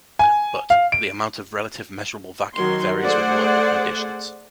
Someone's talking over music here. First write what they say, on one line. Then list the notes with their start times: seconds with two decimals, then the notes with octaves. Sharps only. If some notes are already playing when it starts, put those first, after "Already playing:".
But the amount of relative measurable vacuum varies with local conditions.
0.19 G#5
0.70 F5
0.92 D7
2.55 D#3 F#3 C6
3.03 A3 G#4 C5 D5 F#5